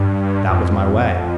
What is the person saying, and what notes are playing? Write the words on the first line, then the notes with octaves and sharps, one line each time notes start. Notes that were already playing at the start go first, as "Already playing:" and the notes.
That was my way.
Already playing: G2
F2